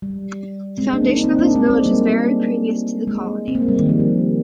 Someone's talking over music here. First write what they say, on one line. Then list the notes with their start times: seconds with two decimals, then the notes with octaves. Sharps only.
The foundation of this village is very previous to the colony.
0.02 G3
0.78 G#3 C4
0.93 A#3 D4
1.09 C4 D#4
1.24 C4 D#4
1.39 A#3 D4
1.55 G#3 C4
1.70 G#3 C4
1.86 G3 A#3
3.07 G#3
3.48 C4
3.55 A#3
3.62 G#3
3.68 G3
3.79 D#3
3.89 F3
4.00 G3